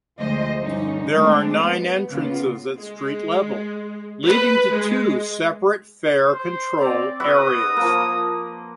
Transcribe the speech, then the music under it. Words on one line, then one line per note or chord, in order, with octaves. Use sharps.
There are nine entrances at street level, leading to two separate fare control areas.
D2 F3 G#3 C5 D#5
G2 D3 C#4 D#4
G#3 A3 C4 D4
B3
C#3 A#3 B3 F4
G#3
B4
G#3
C5
C4 D5
F#4 B4 E5 D#6
F3 A#3